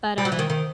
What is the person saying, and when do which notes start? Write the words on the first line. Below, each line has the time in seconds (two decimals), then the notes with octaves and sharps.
But, um,
0.18 G3
0.25 F#3
0.32 E3
0.39 D#3
0.50 D#3